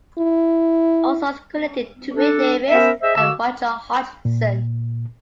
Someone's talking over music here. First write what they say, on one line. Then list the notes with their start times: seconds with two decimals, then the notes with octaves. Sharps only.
All songs credited to Rick Davies and Roger Hodgson.
0.19 E4
2.12 D4 A4
2.69 B3 C#4 A#4 C5 E5
3.02 G#4 C5 D#5 E5
3.16 D3 F#4 F5 D6 E6
4.25 A#2